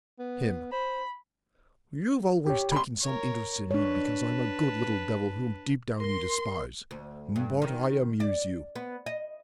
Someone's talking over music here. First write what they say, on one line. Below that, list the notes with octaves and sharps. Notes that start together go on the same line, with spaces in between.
HIM: You've always taken some interest in me because I'm a good little devil whom deep down you despise--but I amuse you.
B3
C5 B5
G4 C#5
B5 C6
A#4 C#5
D4 B4 C#5 A5
A#4 C6
D2
G2
D#3
D5
B3
D#5